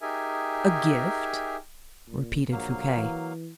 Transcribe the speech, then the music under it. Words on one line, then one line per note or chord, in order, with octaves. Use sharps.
"A gift?" repeated Fouquet.
D#4 G4 G#4 A#4 E5 G#5
A#2
A#1 F#3 A#3 F5
E3